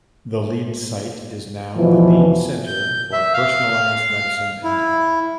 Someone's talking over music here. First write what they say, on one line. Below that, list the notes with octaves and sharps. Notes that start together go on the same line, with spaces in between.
The Leeds site is now the Leeds Centre for Personalised Medicine and Health.
E2 B2 E3 F3
G6
E5
F5
E4